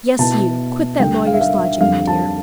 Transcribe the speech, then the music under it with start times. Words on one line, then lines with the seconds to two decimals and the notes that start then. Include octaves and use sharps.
"Yes, you; quit that lawyer's logic, my dear."
0.18 B2 B3 E4 A5
1.00 D2 D3 G3 G5
1.27 F5
1.33 E5
1.41 F5
1.54 E5
1.80 F2 D3 G3 D4 F5
2.07 A5